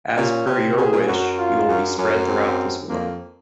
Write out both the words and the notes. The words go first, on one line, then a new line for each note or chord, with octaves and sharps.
As per your wish, you will be spread throughout this world.
A#2 C#4
C3
C3 G#4
A#2
F#2 F#4
F4
F#2
F#2 C#4
C4
F2 A#3